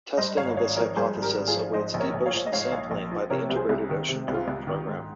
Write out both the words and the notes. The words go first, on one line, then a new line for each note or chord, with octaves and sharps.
Testing of this hypothesis awaits deep ocean sampling by the Integrated Ocean Drilling Program.
G2 C5 D#5
G#1 C#5 F5
G#1 C#5 F5
F3 A#4 C#5
G2 G#4 C5
G#1
G4 A#4
G#1
F4 G#4
F3
G#2 C5 D#5
A#1
A#4 C#5
A#1
C#5 F5
F3
D#5
G#2 C#5 F5
A#1
A#1
F3
C3 A#4 C#5
C2
G#4 C5
C2
D#3
C3
C2
F4
C2
D#3
G#2